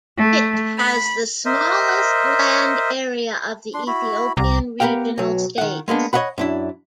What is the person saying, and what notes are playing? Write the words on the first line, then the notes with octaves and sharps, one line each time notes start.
It has the smallest land area of the Ethiopian regional states.
A3
B5
A#4 C5 D#5 E5
D4 C6
E4 F#4 B5
C2 G4 A#5
B3 G4 A#4 F5 G5
B1 F#3
D#3 F#5
G#3 A#3 B3 D4
C#5 D#5 F5 F#5 B5
F#2 D4 E4